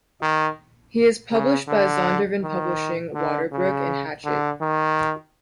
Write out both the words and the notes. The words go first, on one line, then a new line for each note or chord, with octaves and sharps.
He is published by Zondervan Publishing, WaterBrook, and Hachette.
D#3
C#3
D3
D#3
D3
C#3
D3
D#3